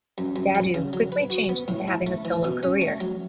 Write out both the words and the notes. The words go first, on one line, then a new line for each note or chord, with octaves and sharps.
Dadoo quickly changed into having a solo career.
F#2
F#2
F#3
C#3
F#3
B4
F#4
B3
A2
E4
A3
E3
B2
C#4
A3
F#3